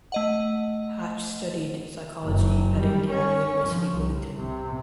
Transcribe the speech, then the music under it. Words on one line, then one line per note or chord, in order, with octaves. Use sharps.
Hatch studied psychology at Indiana University Bloomington.
A3 D#5 F#5
F#1
G3
C#4
F3
C2
C3